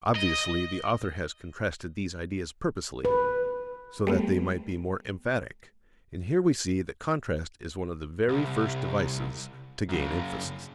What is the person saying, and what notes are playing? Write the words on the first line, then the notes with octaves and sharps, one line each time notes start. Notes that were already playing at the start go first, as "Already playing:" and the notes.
Obviously, the author has contrasted these ideas purposely, so that they might be more emphatic, and here we see that contrast is one of the very first devices to gain emphasis.
D#5
B4
G3 A3 B3
C2
F#2 C#3